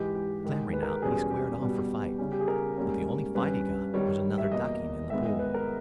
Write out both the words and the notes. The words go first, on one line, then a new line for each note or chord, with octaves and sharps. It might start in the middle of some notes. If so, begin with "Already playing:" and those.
Clambering out he squared off for fight, but the only fight he got was another ducking in the pool.
Already playing: G#2 E3 G#3 G4
G4
G#2 D#3 G#3
B4
A#4
E2 B2 G3 C#4 G#4
G4
B2 G3 B3
C#3 G3 C#4
G4
G#4
A#4
G#2 G3 A#3 C#4
G2 G3 C#4 B4
G2 D#3 G3 C#5
E5
E2 B2 A#3 D#5
G#2 D#3 G#3 B3 E5
D#5
B4
A#4